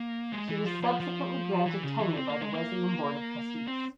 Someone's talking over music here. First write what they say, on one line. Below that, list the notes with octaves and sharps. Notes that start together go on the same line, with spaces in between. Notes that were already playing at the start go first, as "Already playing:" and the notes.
She was subsequently granted tenure by the Wesleyan Board of Trustees.
Already playing: A#3
G#3
E3
F3
F3
F3
E3
C#3
E3
C4
A#3
G#3
A#3
C4